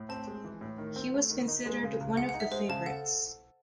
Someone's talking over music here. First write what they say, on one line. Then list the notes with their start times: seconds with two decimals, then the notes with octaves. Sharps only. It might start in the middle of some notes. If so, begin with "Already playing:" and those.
He was considered one of the favourites.
Already playing: A2
0.09 C4 A5
0.27 G#3
0.44 E3
0.61 A2
0.78 D#3
0.96 C4
1.14 A3
1.30 D#3
1.48 D#4
1.66 G#3
1.83 C#3
2.00 C#2
2.17 G#4 F#5
2.29 F#5
2.34 D#4
2.40 E5
2.51 G#3 C5
2.69 C#3 A5
2.86 A4 F#5